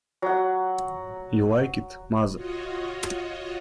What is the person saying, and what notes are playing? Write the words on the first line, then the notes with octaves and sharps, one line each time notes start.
You like it, mother?
F#3 F#5
F4 F#4 C#5 D#5